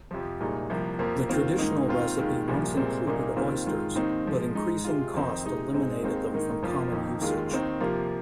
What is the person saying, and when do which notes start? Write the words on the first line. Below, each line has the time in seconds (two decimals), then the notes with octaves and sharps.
The traditional recipe once included oysters, but increasing cost eliminated them from common usage.
0.11 F2 C3 F3
0.40 C2 A#2 G#3 D#4
0.70 C2 C3 F3 A#3
0.99 F2 F3 A#3
1.29 D#2 D#3 C4 F4
1.58 G#2 D#3 A#3 D#4
1.89 D#2 D#3 C4 F4
2.18 D#2 D#3 G#3 F4
2.48 C2 A#2 F3
2.77 C2 A#2 G#3 C4
3.07 C2 A#2 A#3 D#4
3.36 D#2 D#3 C4 F4
3.66 G#2 D#3 G#3 F4
3.95 D#2 D#3 C4 D#4
4.25 G#2 F3 G#3
4.55 G#2 G#3 D#4
4.84 C3 G#3 F4
5.14 F2 D#3 C4 D#4
5.44 C3 G#3 D#4
5.73 G#2 G#3 C4 D#4
6.03 D#2 D#3 G#3 C4 D#4
6.33 G#2 D#3 A#3 D#4
6.62 F2 F3 A#3 F4
6.92 F2 D#3 A#3 D#4
7.21 D#2 D#3 G#3 F4
7.51 D#2 D#3 C4 D#4
7.80 C3 F3 A#3 F4